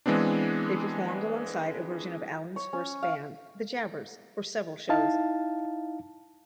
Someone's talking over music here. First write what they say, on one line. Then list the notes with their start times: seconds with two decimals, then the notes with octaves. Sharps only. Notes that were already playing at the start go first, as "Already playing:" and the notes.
They performed alongside a version of Allin's first band, The Jabbers, for several shows.
0.06 E3 G#3 B3 C4 D4
2.56 C#5
2.73 C#4
3.03 F5
4.89 D#4 E4 F5 A5